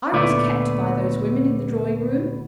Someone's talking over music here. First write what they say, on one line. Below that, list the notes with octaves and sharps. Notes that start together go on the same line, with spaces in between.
'I was kept by those women in the drawing-room.
D2 A#2 A3 B3 D5 E5